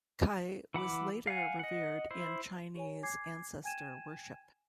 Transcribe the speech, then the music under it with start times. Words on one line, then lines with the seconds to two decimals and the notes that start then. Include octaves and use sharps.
Cai was later revered in Chinese ancestor worship.
0.74 E3 F#5 B5 D6
1.27 F5 F#5 G#5
1.59 D#5 F#5
2.11 E4 C5
2.75 G4 C#5 G#5
3.03 G#5 D6 G#6 C7
3.64 G5 G#5 G#6 D#7 E7